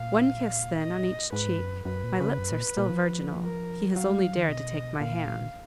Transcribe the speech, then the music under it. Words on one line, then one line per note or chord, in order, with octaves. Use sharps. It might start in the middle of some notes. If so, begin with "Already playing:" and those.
One kiss, then, on each cheek--my lips are still virginal, he has only dared to take my hand.
Already playing: A#2 F5
D#5
G#2 B4
F#2
F#2 B4
A#2
C#3
F#2
A#2
A#2
F3
A#4
F#3 F5
G#3
F#3
D#3
B2 D#5
A#2 F5